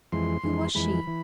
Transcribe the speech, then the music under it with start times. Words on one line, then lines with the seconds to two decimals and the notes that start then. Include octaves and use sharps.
Who was she?
0.12 F2 E3 G#3 C6
0.43 F2 E3 G#3
0.75 F2 E3 G#3 B5
1.07 E3